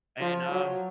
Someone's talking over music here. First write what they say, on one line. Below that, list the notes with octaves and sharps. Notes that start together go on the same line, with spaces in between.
And, uh
F3
F#3